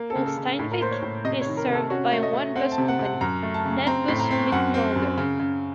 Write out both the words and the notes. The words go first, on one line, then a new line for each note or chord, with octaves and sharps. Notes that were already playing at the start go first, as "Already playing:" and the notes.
Ulsteinvik is served by one bus company: Nettbuss Midt-Norge.
Already playing: A#3
A4
C#3
A4
C#3
A2
A#4
A#3 C5
C#5
A2
C3 D#5
C#5
D#3
A#4
C3
A4
C#4 F#4
A3
D#5
A3
C4 F#5
A5
C3
F#5
C3
F#5
F#2 A#5
A3
A5
C#3
C4 A#5
A2
A#5
C4
F#2 F#5
C4
F#2
C#3
C#3